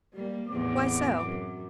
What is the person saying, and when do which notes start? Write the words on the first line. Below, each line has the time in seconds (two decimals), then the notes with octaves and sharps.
"Why so?"
0.13 G3 A#3
0.49 E2 A2 C4 D6
1.24 F#2